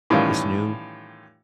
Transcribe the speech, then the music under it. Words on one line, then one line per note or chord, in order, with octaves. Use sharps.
this new
A2 D#3 E3 G3 C#4 F4